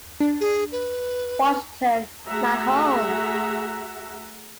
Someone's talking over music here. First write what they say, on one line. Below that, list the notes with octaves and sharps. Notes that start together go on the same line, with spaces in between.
Washington, my home.
D4
G#4
B4
A3 F#4 G#4 E5 F#5 A#5